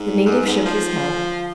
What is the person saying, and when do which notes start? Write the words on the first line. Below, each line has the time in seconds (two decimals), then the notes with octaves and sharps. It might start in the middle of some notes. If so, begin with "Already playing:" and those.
The native shook his head.
Already playing: G#2
0.26 F#2
0.46 G#2
0.65 F3